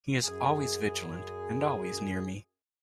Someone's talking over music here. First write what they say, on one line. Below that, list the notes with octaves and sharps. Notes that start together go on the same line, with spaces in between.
He is always vigilant and always near me.
F#2 G#4 G#5